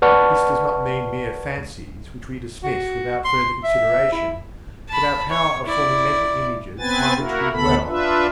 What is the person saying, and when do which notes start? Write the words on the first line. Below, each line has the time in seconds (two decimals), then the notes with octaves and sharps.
This does not mean mere fancies, which we dismiss without further consideration, but our power of forming mental images upon which we dwell.
0.02 B4 D5 F#5 A5 C#6 F6
2.63 F#4
3.25 C6
3.64 E5
4.12 E4
4.88 A5 B5
5.29 C#5
5.66 E4 D5
6.79 B3 C4 B4 G#5 A6
7.17 A#3 E4 F#4 A#4
7.52 D2 D3 B3 A4 B5
7.87 D4 F4 B4 E5